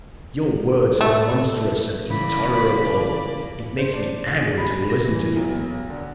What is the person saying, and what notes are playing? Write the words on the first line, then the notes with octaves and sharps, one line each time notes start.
Your words are monstrous and intolerable; it makes me angry to listen to you.
A3
C#3 E3 A#3 D5 B5
C5
D4
G#4
B5
A#6
E3
B1
D3